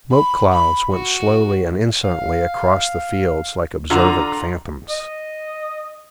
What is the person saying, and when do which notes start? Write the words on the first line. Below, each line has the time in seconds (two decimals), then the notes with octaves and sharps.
Smoke clouds went slowly and insolently across the fields like observant phantoms.
0.12 B5
0.52 B5
0.92 F#4
2.04 F5
3.90 D3 F4 F#5 A#5
4.90 D#5